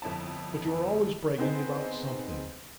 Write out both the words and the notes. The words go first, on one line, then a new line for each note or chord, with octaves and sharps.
'But you're always bragging about something.
G1 F2 E4 A5
B3 C4 D#4 G#4 C5